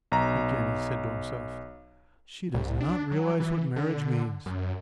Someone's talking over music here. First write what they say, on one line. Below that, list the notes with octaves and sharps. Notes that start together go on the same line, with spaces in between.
Again he said to himself, "She does not realize what marriage means!"
B1 A#5
C2
D4
F#3
E3
D3
F#2